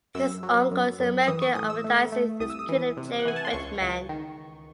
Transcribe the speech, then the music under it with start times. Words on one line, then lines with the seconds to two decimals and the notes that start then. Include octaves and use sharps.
His uncle is American advertising executive Jerry Reitman.
0.15 F#2 E6
0.43 F#3
0.71 F#2
0.99 F#2
1.23 E6
1.28 E3 D#6
1.42 C#6
1.55 A2 D#6
1.70 E6
1.84 A3
2.12 A3
2.40 C2 D#6
2.50 E6
2.59 D#6
2.69 E3
2.97 C3
3.19 F#5
3.25 E3 G#5
3.36 A5
3.45 C6
3.53 C#2 C#6
3.81 C#2
4.09 D#3